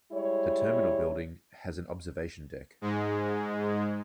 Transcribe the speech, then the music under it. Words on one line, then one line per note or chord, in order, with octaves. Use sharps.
The terminal building has an observation deck.
G3 G#3 E4 C#5
G#2 G#3